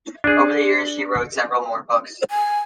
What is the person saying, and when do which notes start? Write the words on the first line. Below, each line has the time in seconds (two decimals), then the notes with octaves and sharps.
Over the years, she wrote several more books.
0.24 D4 G#4
2.30 G#5